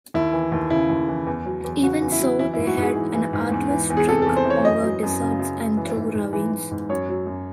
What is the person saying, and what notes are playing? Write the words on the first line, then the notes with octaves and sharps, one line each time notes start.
Even so, they had an arduous trek over deserts and through ravines.
D#2 E4
E3
D#2
C#3 E4
D#2
E3
E2
F#3
E2
C#3 F#4
E2
E4
F#3
E3 E4
E4
G#2
F#4
G#2 G#4
E3
E3
G#2
E2
E3
E2
G#4
C3 A4
A4
E2
C5
E3
C#5
F#2 D#5
F#3
F#2
C#3
F#2
F#3
E3
G#2
G#2
E3
E3
G#2
F#2 C#5
F#3
F#2